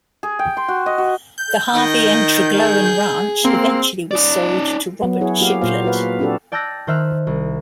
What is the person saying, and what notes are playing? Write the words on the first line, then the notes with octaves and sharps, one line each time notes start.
The Harvey and Tregloan Ranch eventually was sold to Robert Shiplet.
G#4
G5
C6
F#4
D#5
F#4
G6
D#3 D#5
G#4
A#3 C4
D#4 D5
F#3 B3
E4 G#4 C#5
A#3 F#4 G4 F5
A#2 A#3 F4 C5 F5
F#4 B4 F5
C4 D4 F#4 G4 A4
D5 G5 A5 E6 F#6 A#6
D#3 C5 E5 F6 F#6
C2